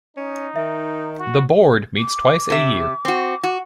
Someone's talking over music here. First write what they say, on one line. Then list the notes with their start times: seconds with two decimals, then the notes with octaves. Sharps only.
The Board meets twice a year.
0.17 C#4 D#4
0.56 D#3 E5
1.19 F#4
1.97 D6
2.50 C3 E5
3.05 C4 F#4
3.43 F#4